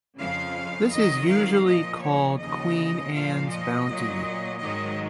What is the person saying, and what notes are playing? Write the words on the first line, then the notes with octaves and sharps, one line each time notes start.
This is usually called Queen Anne's bounty.
F2 C#3 F3 F5
F2 D#3 F#3 D#5
F5
A#2 F3 D#5
C#5
D#2 C#3 F3 D#5
A#2 F3 F5
D#5
A#2 F#3
G#2 D#3 F#3 D#5